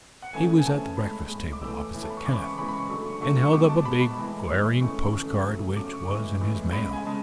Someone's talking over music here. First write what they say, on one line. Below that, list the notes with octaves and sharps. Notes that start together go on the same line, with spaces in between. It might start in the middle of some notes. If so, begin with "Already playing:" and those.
He was at the breakfast table opposite Kenneth, and held up a big, glaring post-card which was in his mail.
F#5
C#3 E3 A3 G#5
G#5
C#3 E3 A3 A5
A2 G#3 B5
A2 G#3
D6
A2 E3 A3 E6
A2 E3 A3
A5
B5
C#6
C#3 E3 G#3 D6
B5
C#6
C#3 E3 G#3 B5
B5
C#6
D3 F#3 A3
C#6
D3 F#3 A3 C#6
C#6
B2 G#3 D6
A5
B2 G#3 B5
B5
A2 E3 G#3
A2 E3 G#3
C#3 E3 A3 C#6
C#3 E3 A3
C#3 F#3 A3
C#3 F#3 A3 D6
C#6
A2 E3 G#3
A2 E3 G#3
C#3 G#3 B5
G#5
C#3 G#3 A5